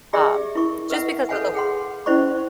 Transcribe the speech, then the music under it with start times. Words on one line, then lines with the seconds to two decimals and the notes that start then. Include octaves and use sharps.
um, just because of the ho
0.13 G4 G#4 D5 E5
0.55 E4 A#4 C#6
0.90 A#4 B4 E5 F#5
1.29 A4 B4 C#5 F5 F#5 G#5
1.55 G#4 F#5 C6
2.06 C#4 E4 C5 D5 C#6